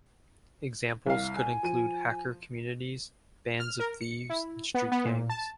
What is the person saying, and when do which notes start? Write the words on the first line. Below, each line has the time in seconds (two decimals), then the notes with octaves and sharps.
Examples could include hacker communities, bands of thieves, and street gangs.
1.06 C2 F5
1.36 G#5
1.63 F3 D#7
3.60 F6
3.80 A#4
4.01 C#7
4.30 E4
4.74 B3
4.92 B3
5.05 A#2
5.29 A5